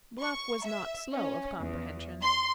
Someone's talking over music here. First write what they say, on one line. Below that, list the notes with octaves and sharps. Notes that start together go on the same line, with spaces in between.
Bluff was not slow of comprehension.
C#6
E5
C#4
E2
C6